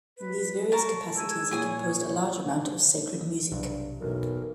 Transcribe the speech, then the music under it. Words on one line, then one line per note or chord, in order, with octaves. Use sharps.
In these various capacities he composed a large amount of sacred music.
B4
A#4 A5 C#6
G#3 E6 G#6 D#7
A#2 E3 G#4 C#5 G#5 D#6
B1 G2 C3 F#3
F#1 B1 E2 B2 A#4